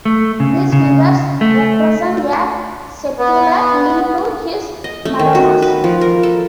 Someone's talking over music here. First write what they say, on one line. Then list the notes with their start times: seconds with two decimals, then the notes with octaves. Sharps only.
These figures represent a secular link to his "Madonnas".
0.05 A3
0.40 C#3
0.73 C#3
1.41 A3
3.19 B3
4.84 D#5
5.05 A3
5.19 D#3
5.35 F#4
5.62 B4
5.84 F3
6.01 A#4
6.23 A4